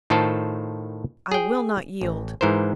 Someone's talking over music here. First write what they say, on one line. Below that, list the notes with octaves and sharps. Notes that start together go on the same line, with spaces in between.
I will not yield.
A2 D#3 F4 A4 C5 A5
G#4 G5
A1
G#2 E3 A#4 C5